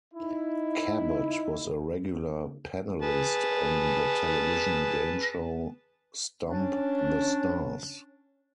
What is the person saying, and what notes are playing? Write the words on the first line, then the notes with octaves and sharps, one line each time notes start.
Cabot was a regular panellist on the television game show, "Stump the Stars".
D#4 E4
G#4 B4 A5
C#4 D4